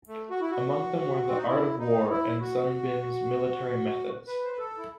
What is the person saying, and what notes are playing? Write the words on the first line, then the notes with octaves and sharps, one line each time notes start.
Among them were "The Art of War" and Sun Bin's "Military Methods".
A3
F#4
E4
F#4
C4
D#4
E4
D#4
E4
F#4
B4
C5
B4
A4
E4